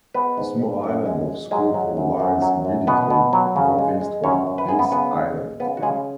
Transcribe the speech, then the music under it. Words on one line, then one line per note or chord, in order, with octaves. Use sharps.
The small island of Skorpo lies immediately northeast of this island.
G#3 B3 B4
G#2
G#3
F#2
G#3
G#3
F#3 G#3 G#4
F#3
F#2
F#2
F#3
F#2
B2 B3 B4
B2
F#3
C#3
G#3
G#3
F#2 C#4 C#5
F#2
B4
F#2 G#4
B3 B4
C#3 B3 B4
G#3
G#3
C#3 B3 B4
F#4
C#3 G#3 G#4